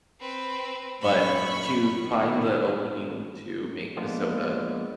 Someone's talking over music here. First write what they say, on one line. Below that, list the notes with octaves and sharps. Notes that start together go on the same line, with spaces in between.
But to find the opening to make the soda,
C4 B4
F#2 A#2 B5 C#6
D#3
F3 G#3 A#3 B3 D4